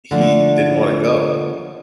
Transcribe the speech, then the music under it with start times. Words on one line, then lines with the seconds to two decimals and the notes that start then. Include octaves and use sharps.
he didn't wanna go.
0.11 D3 F3 A3 D4